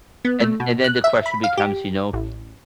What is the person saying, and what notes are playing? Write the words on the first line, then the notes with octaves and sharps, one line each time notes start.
and and then the question becomes, you know,
B3
A3
B2
F#6
E5
B5
F5
G4
A1